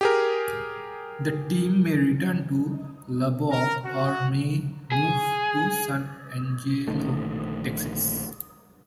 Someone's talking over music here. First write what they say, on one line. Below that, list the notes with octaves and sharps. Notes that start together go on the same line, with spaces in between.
The team may return to Lubbock or may move to San Angelo, Texas.
G4 G#4 A#4
A#4
F#4
G#4
A#1 D3 D#3 A3